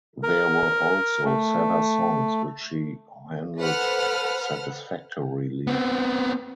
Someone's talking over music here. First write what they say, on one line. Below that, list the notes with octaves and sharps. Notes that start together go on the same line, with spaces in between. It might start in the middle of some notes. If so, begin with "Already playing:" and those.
There were also sadder songs which she handled satisfactorily.
A#4
A3
A4 B4 C5 F#5 F6
B3 C4